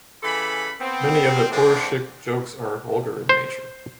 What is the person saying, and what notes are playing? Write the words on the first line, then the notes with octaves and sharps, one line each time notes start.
Many of the Poruchik jokes are vulgar in nature.
C#3 E3 G4 A4 B5
B3 C4
D3 E3 F3 G#3 C4 D4
C5